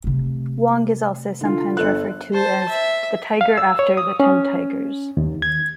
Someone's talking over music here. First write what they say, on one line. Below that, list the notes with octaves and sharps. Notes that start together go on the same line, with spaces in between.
Wong is also sometimes referred to as the "Tiger after the Ten Tigers".
C3 A3
D3 F4
G1 A4 F#6
C5 A5
E5
F5
E6
C#5
D#6
C#4
D#2
G#6